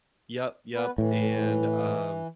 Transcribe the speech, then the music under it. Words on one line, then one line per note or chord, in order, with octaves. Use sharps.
Yep. Yep. And, um
B3 B4
A2 E3